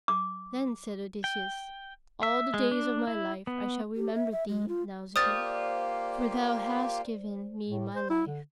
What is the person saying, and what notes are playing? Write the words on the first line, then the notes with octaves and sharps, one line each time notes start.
Then said Odysseus: "All the days of my life I shall remember thee, Nausicaa, for thou hast given me my life."
D6
G5
E5
G#3
D4
E4
B3
G4
E5
E5
G#3
F4
A#3 F4 G4 C5 D5 D#6 A6
A2
C5
E4
D3